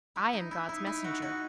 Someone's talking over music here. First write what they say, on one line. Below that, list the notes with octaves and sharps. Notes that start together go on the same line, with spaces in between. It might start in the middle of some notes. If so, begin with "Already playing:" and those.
I am God's messenger.
E4
D#4
E4
D#4 E4
E4
F#4
F#4